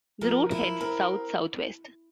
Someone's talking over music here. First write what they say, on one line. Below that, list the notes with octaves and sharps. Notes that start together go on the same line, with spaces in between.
The route heads south-south-west.
F3 A#4
E4
C4 A#4